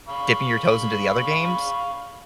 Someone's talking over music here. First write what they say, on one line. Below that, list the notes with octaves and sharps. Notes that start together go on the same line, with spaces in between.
dipping your toes into the other games?
F5 B5 C#6